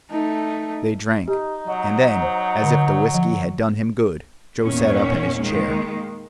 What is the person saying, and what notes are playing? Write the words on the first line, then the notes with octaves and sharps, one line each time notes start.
They drank, and then, as if the whiskey had done him good, Joe sat up in his chair.
A3 D#4
D#4 G4
F#3 D#5
C5
D3
F3
E2 A#2 D#3 B3 C#4
D#3 G#3 A#3